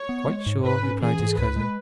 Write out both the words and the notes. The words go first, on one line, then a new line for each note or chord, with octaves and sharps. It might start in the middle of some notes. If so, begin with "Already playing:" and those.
'Quite sure,' replied his cousin.
Already playing: C#5
B3
G#3
G#2
G#2 B4
C#4
E3 G#4
G#2
C#2 B4
G#3